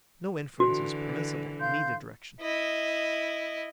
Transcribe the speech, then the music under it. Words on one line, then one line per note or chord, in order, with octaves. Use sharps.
No inference is permissible in either direction.
D3 E3 F#4
F5 C6 G6
E4 D#5